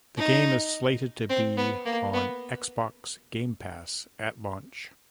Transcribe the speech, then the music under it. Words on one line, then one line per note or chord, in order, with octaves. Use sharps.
The game is slated to be on Xbox Game Pass at launch.
D#4
C4
B3
A#3
B3